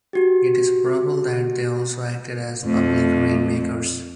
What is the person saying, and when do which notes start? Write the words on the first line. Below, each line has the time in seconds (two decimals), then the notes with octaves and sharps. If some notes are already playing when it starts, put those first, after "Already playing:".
It is probable that they also acted as public rain-makers.
0.13 F#4 G4
2.65 F2 A3